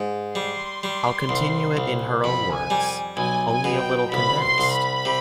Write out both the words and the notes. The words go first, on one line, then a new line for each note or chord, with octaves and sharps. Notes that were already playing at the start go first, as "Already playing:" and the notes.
I’ll continue it in her own words, only a little condensed.
Already playing: G#2
G3 C6
G3
C2
C2
F2 B5
G#5
G3
B1 G#5
G#5
B2
G5
C2 B5
C6
C2
B5
C3